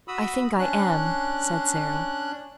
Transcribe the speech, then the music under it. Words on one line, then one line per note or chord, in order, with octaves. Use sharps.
"I think I am," said Sara.
F#4 B5 D#6 E6
C#4 D4 F#6